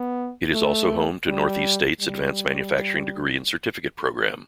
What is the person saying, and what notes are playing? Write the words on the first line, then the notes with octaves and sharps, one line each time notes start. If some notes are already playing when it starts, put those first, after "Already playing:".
It is also home to Northeast State's advanced manufacturing degree and certificate program.
Already playing: B3
A3
G3
G3